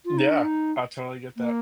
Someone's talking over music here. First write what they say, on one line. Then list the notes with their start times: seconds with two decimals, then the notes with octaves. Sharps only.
Yeah, I totally get that.
0.06 F4
0.18 D#4
0.30 D4
0.44 D#4
1.37 A#3